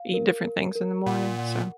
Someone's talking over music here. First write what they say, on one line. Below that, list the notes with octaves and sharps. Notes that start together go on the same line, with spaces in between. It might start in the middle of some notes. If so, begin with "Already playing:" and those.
eat different things in the morning. So.
Already playing: F5
A#4
A#4
A#4
A#2 F#5
F#5